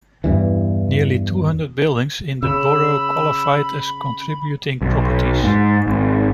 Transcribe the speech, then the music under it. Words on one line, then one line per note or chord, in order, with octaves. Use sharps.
Nearly two hundred buildings in the borough qualified as contributing properties.
E2 G2 E3
C#3 B5 E6
B1
G#2
G#1